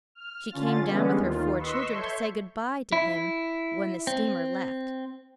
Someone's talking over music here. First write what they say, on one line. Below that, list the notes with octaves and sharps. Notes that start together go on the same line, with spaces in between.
She came down with her four children to say good-by to him when the steamer left.
F6
D3 C#4 F4 A6
D3 E3 G3 G#3 B3 C#4
D#2 D#3 F4
B4 D#5 C6 C#6 E6 B6
A4 C#5 E5 C6 C#6 G6
E4
C4